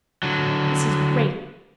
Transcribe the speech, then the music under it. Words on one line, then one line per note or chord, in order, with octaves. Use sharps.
This is great.
D3 F#3